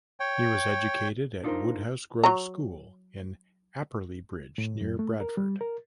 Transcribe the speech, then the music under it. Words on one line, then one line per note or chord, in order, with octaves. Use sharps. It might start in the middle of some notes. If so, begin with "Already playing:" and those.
He was educated at Woodhouse Grove School in Apperley Bridge near Bradford.
C#5 G5
D4 D#4 F4 G#4 A#4 C5
F#3 C#5 A#5
A2
F#2
A3
A#4
G3
A#4